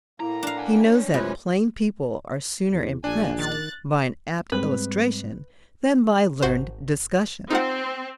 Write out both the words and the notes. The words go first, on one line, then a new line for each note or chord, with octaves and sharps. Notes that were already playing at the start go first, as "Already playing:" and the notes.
He knows that plain people are sooner impressed by an apt illustration than by learned discussion.
A2 A#3 E4 A#5
D4 F5
F#5 G#5
C4 C#5
F#2 C3 G#3 A3 F4 B4 G#5
E2
A#1 D4 G#5
D#3 F#6 A6
G#2 G3 G#3 C4 B4
G#1 F#4 C5
C4 D#4 F4 F#5